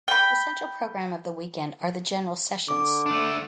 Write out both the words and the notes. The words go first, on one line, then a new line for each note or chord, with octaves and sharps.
The central program of the weekend are the general sessions.
G5 B5
D3 D6
A3 D4